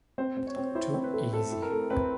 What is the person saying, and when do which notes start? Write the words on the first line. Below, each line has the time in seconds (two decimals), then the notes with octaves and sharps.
Too easy.
0.18 C4 C5
0.37 C4
0.47 C#5
0.56 C4
0.75 E4 C5
0.94 C4
1.04 B4
1.13 A3
1.33 A3 A4
1.52 E4
1.62 A#4
1.71 A3
1.90 C4 B4